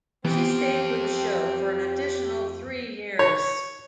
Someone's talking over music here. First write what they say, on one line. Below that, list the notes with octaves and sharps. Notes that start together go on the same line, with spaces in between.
She stayed with the show for an additional three years.
F2 E3 B3 C4 G4 G5
C#5